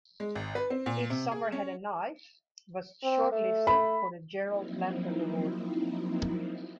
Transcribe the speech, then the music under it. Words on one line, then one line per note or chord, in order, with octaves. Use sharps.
"If Summer Had a Knife" was shortlisted for the Gerald Lampert Award.
G#3
G#1
B4
C4
A#2
C3
G#4
C#4
C4
A3
B5
F3 F#3 A#3 C4 D#4 E4